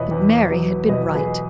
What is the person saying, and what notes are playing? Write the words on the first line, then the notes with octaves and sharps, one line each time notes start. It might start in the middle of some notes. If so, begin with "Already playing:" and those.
But Mary had been right.
Already playing: E2 B2 B4 C#5 D#5 E5
E2
F#3
B2 B4 D#5
G#4 B4